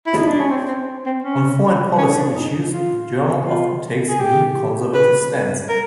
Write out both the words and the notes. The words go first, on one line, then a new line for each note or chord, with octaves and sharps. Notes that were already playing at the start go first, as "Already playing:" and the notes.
On foreign policy issues, the journal often takes a neoconservative stance.
E4
D#4
D4
C#4
C4
C4
C4
C#4
C#4
D4
D#4
F4
F4
G#4
G4
B4
A#4